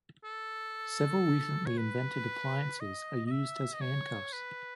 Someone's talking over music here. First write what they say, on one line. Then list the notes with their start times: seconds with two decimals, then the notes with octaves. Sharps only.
Several recently invented appliances are used as handcuffs.
0.24 A4
1.66 C#5
1.78 B4
2.80 D#5
3.26 D#5
3.31 E5
3.74 D#5
3.81 C#5
4.33 B4